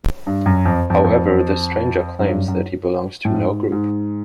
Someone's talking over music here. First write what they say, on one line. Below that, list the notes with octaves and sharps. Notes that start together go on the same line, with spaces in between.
However, the Stranger claims that he belongs to no group.
G2
F#2
F2
F2
F2
F#2
G2
F#2
F#2
A2
G#2
G#2